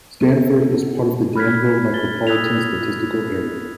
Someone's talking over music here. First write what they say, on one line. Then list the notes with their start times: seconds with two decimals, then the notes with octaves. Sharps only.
Stanford is part of the Danville Micropolitan Statistical Area.
0.21 B3 A4
1.36 B5 F6 F#6 G#6 B6
1.94 A6 G7
2.27 D#6 E6 F#6 G#6 B6 F7